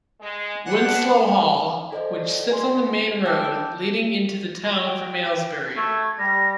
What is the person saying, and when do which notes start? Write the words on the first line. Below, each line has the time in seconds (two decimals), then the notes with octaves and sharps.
Winslow Hall, which sits on the main road leading into the town from Aylesbury.
0.21 G#3
0.65 B3 D4 F#5
1.92 A4 C5 D5 D#5
2.51 G#5 C6
3.26 G5 A5 D6 E6 G6
4.83 G5
5.77 A3 G#6
6.18 G3 A#6